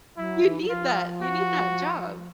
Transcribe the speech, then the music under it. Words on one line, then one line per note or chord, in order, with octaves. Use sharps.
You need that, you need that job.
F#3 E4
E3
F#3
F3 F4
F#4